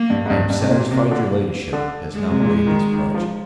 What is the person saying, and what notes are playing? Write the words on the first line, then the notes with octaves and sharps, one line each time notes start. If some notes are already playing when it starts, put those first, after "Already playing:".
I am satisfied your Ladyship has not weighed this project.
Already playing: A#3
G2
G#2
G2
G2 A#3
C3
A#2
C3
D3
D3
G#3
C3
A#2
D#3
D#3
F3